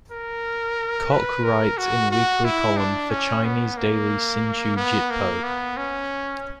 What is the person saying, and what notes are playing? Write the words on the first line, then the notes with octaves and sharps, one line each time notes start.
Kok writes in weekly column for Chinese daily Sin Chew Jit Poh.
A#4
B4
A#4
F#4
F#4
E4
D4
C#4
B3
A#3
B3
A#3
B3
C#4